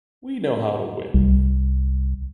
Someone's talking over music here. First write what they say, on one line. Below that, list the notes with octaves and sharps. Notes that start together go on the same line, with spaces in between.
We know how to win.
C2